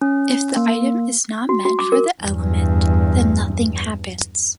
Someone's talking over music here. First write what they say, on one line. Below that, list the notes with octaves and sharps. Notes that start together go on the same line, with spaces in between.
If the item is not meant for the element, then nothing happens.
C#4
A#3
F#4
F#4
D6
A#4
E2 G2